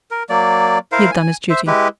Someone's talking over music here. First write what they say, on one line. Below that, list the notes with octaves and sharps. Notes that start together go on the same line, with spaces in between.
He had done his duty.
A#4
F#3 A#3 D5
E4 A#4 C5 F5
G#5
C5 E5
G#3 E4 G4 B4